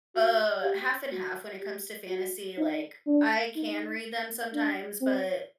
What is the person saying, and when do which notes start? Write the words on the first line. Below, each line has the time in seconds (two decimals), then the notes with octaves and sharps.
uh, half and half when it comes to fantasy, like, I can read them sometimes, but
0.16 F#4
0.64 G4
1.12 F#4
1.61 G4
2.09 F#4
2.58 D#4
3.07 D4
3.56 D#4
4.54 D4
5.01 C4